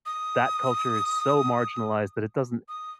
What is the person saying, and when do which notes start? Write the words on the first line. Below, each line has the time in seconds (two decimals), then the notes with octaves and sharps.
that culture is so marginalized that it doesn't
0.06 D#6
2.68 D#6